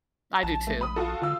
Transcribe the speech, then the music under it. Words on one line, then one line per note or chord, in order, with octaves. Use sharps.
I do too.
A#1 A5
A3
B5 D#6
F4 F#4 A4
D3 F4 E6